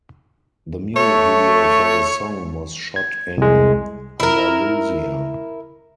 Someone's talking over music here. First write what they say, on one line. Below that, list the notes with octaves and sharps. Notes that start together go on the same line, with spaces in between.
The music video for the song was shot in Andalusia.
A3 C#5
G#6
C2 G#3
E4 A#4